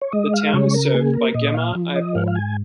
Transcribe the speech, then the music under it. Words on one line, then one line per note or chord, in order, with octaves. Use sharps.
The town is served by Guemar Airport.
C#5
G#3 D#5
F5
C#3 C#5
A#4
A#3 G#4
A#4
A#2 D#5
F5
F3
D#5
G#2 F5
F5
G#5